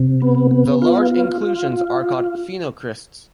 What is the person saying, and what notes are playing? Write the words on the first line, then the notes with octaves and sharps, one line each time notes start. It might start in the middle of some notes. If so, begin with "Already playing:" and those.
The large inclusions are called phenocrysts.
Already playing: C3
B3
B3
F4
F4
F4
F4